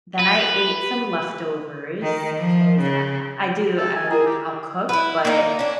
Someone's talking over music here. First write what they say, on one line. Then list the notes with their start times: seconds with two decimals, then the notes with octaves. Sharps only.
then I ate some leftovers 'cause I I I do I, like I'll cook, but
0.19 B4
2.02 D#3
2.38 F3
2.80 C#3
3.77 A4
3.95 G#5
4.11 E4 G#4 A#4
4.26 E4 G4
4.89 E4 B4
5.25 A#3 D#4
5.59 C#4 D4